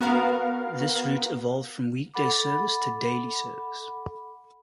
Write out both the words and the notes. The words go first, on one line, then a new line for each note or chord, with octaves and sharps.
This route evolved from weekday service to daily service.
B3 F#4 A#4 F5
A4 F#5 B5 D6